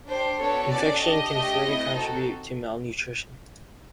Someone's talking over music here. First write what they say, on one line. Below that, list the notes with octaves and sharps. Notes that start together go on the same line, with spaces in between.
Infection can further contribute to malnutrition.
D4 G4 C5
B3 D4 F#4 A4 C#5
C#4 F#4 A4 D5
D4 G4 D#5
A3 D4 G4
A3 C4 E4
C4 D#4 F#4 A4